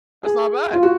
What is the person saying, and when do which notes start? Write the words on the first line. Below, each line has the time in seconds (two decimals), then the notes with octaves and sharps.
That's not bad."
0.23 G#4
0.73 F4
0.83 F#4